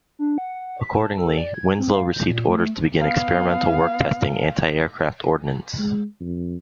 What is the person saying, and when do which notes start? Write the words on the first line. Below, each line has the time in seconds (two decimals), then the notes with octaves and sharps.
Accordingly, "Winslow" received orders to begin experimental work testing antiaircraft ordnance.
0.19 D4
0.38 F#5
0.81 B6
0.95 A5
1.18 A4
1.37 D5
1.54 G#6
1.79 C4
1.92 F5
2.14 G6
2.27 A#2
2.48 A3
3.00 B3 F5
5.78 G#3
6.20 F2